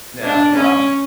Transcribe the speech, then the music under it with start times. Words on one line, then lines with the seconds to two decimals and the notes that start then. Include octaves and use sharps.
Yeah, wow,
0.23 D4
0.55 C#4